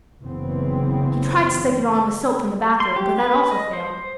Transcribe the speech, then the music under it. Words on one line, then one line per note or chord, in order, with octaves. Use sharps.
He tried to stick it on with soap from the bathroom, but that also failed.
F#1 C#3 E3 B3 C4
C6
G4
B4
D#5
C5